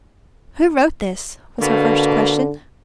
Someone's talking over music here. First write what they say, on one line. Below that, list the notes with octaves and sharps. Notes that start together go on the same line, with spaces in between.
"Who wrote this?" was her first question.
B2 D3 A#3